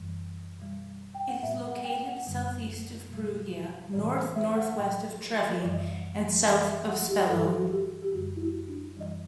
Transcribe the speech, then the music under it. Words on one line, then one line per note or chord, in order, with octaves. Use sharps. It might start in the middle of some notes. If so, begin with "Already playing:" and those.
It is located south-east of Perugia, north-north-west of Trevi and south of Spello.
Already playing: F#2 E3 G3
B2 G3
G5
F#5
A2 G3 E5
F#5
F#5
G5
F#5
F#2 D3 G3
B2 G3
A2 E3 G3 D5
C5
E5
F#5
A2 F#3 G5
F#2 E3 G3
F#2 E3 G3 F#5
E5
F#5
G4
G2 E3 G3 A4
G4
F#4
G4
G4
F#2 D3 G3 F#4
E4
F#4
D4
F#2 E3 G3